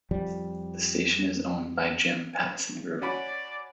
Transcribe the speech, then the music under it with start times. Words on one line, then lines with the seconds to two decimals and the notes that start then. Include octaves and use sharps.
The station is owned by Jim Pattison Group.
0.11 F2 F3 G3
3.02 C#4 F#4 D5 B5